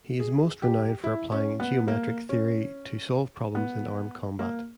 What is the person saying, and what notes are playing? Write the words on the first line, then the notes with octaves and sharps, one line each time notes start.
He is most renowned for applying geometric theory to solve problems in armed combat.
G#4
G4
E4
C#4
B3
A#3
C#4
B3
A#3